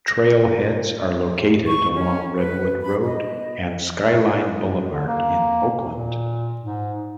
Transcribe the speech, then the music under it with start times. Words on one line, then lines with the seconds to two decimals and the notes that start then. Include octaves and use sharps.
Trailheads are located along Redwood Road and Skyline Boulevard in Oakland.
0.08 A#6
1.65 C#6
1.95 C#4
2.38 B4
2.81 B5
3.05 D#5
4.91 D3
5.07 A#3
5.88 A#2
6.61 G#2